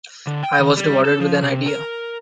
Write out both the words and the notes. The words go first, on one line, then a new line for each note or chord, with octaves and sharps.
I was rewarded with an idea.
D3
G5
D#3
G3
A4
F3
C3
A#4